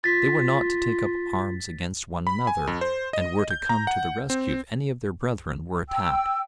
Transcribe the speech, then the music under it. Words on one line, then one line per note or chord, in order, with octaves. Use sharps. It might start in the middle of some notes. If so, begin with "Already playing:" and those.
They were not to take up arms against one another, and were to come to the rescue if any of their brethren were attacked.
F4 A6 B6
B5
G#5
F2
C5
D#5
G6
A#5
F#5
C4
G5 E6